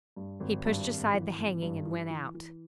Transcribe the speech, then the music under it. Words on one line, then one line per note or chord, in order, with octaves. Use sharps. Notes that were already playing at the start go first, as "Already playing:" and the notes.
He pushed aside the hanging and went out.
G2
G#1
G2
G#1
E3
G#1
G2
E3
E3
E3